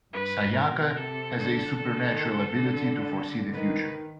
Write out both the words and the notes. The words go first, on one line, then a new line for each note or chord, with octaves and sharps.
Sayaka has a supernatural ability to foresee the future.
G2 B4
G#2
A#4
B2
C3 A4
D3 A4
D3
D#3
D3
D#3 B4